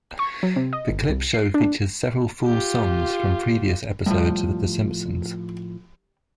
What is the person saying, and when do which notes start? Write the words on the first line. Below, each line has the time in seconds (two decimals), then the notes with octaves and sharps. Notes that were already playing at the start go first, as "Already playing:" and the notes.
The clip show features several full songs from previous episodes of "The Simpsons".
0.19 C#6
0.43 F#3
0.56 C3
0.73 D#5
0.90 G1
1.09 C2
1.33 C7
1.54 D4
2.46 F4 G4
4.06 A2 F3 G3